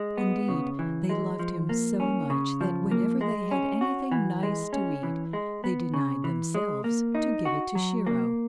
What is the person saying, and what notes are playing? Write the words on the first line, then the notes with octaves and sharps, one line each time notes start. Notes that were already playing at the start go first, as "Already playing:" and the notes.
Indeed, they loved him so much that whenever they had anything nice to eat they denied themselves to give it to Shiro.
Already playing: G#3
B3
C#3
E3
G#3
F3
A#3
C#4
C#3
F3
A#3
G#3
C#4
F#4
E3
G#3
C#4
E3
G#3
B3
C#3
E3
G#3
A#3
D#4
F#4
F#3
A#3